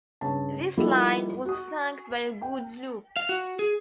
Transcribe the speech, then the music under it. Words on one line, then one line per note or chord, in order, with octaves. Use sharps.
This line was flanked by a goods loop.
G2 C#3 C#5 A5
F3 G3 A#3 D#4 E4 A4
F#4 D#6
G5
F5
F#4
G#4